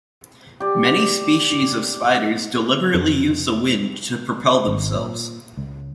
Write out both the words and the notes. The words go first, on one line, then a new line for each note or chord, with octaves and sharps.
Many species of spiders deliberately use the wind to propel themselves.
G4 D5
F2
G#1
A#2
C#2